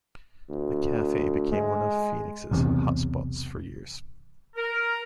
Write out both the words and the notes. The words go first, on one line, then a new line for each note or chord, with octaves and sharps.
The Cafe became one of Phoenix's hot spots for years.
D2
G#3
B1 E2 C3
A#4